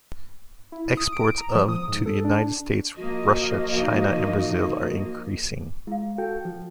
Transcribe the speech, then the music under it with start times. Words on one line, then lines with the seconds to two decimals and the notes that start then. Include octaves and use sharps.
Exports of to the United States, Russia, China and Brazil are increasing.
0.72 E4
0.97 D#6
1.13 D7
1.38 A#5
1.55 F3
1.69 D#6
1.88 G#2
2.06 A4
2.24 D4
2.96 F3 A#3 F#4 D#5
3.41 F5
3.82 D#4
5.87 G#3 E4 F5
6.18 F#4 A4 G5
6.45 F3